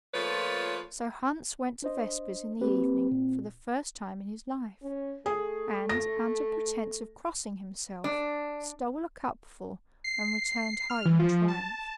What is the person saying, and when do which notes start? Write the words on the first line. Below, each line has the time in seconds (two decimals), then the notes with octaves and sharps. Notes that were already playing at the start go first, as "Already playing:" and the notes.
So Hans went to vespers in the evening for the first time in his life and, under pretense of crossing himself, stole a cupful and returned home in triumph.
0.14 F3 A3 A#3 F4 B4 C#5
1.82 D4 C5 D#5
2.61 A#3 C4 G4 B4
3.11 A#2
4.82 C#4
5.26 A3 G#4
5.89 A#6
8.04 D4
10.04 C7
10.90 F6
11.05 E3
11.19 F3
11.48 A5